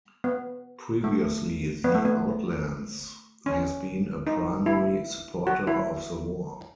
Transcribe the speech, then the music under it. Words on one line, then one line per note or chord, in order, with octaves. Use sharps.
Previously the Outlands has been a primary supporter of the war.
B3
A3
B3
A3
B3
C#4
D#4
E4
F#4
E4